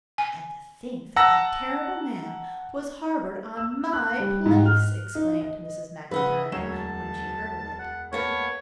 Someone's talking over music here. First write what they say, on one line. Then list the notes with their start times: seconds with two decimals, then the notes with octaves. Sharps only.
"And to think that that terrible man was harboured on my place!" exclaimed Mrs. MacIntyre when she heard of it.
0.18 G#5
1.16 F#5 A5 A#5 E6 A#6
3.57 E6
3.93 F#6
4.20 G3
4.46 G#2
4.66 F6
5.15 D#4
5.41 D#5
6.11 C#3 F3 B4 D#5 E5 F#5
6.52 E1 D2 F#3 C#5 E7
6.73 A5
7.79 F#5
8.13 A#3 B3 C#5 A5